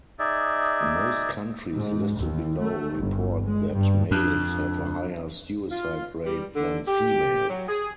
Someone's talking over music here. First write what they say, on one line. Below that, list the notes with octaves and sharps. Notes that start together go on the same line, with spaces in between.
Most countries listed below report that males have a higher suicide rate than females.
D#4 G#4 D5 E5
G#2
D#2
A3
G1
G#3
G2
F2 D4
F4
G3
D3
G4
F#3
G#4